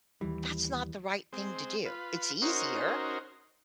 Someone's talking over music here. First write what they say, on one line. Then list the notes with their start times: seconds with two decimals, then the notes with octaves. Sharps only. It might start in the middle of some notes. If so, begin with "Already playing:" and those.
That's not the right thing to do. It's easier.
0.21 D#2 E3 G3
1.33 G#3 C4
1.85 F4 B4
2.42 C#4 D#4 F#4 A#4 C5